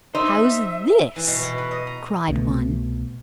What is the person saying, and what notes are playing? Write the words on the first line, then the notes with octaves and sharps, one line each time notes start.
'How's this?' cried one.
D#4 C5 E5
E3
B2
B2
B4
D#5
A#5
C2 B2 D#3 A3